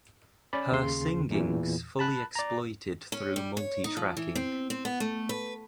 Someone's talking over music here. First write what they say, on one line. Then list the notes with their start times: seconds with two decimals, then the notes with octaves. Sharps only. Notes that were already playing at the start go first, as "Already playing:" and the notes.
Her singing's fully exploited through multi-tracking.
0.53 C#4 D5 B5
0.71 D#2 C#3 C6
1.30 E2 A#2 E3
1.99 A5 B5 F#6
2.35 D5 A#5
3.12 C#4
3.36 G3
3.57 C#5
3.84 D#4
3.97 F3
4.17 E3
4.35 C4
4.70 C4
4.85 B3
5.00 A3
5.29 B4